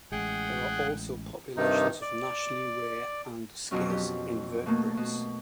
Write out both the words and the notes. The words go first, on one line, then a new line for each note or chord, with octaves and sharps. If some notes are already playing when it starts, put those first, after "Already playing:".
There are also populations of nationally rare and scarce invertebrates.
A1 G#3 G#4 F#5 G5
G2 C3 D#3 D#4
D5
F2 B2 F#3 C#4
G4
B2 A3 A#3
B2